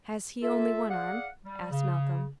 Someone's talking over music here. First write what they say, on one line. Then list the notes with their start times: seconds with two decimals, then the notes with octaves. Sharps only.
"Has he only one arm?" asked Malcolm.
0.42 F4 A4 E5
0.90 G#4 D5 F5 F#5
1.45 G3
1.71 C#3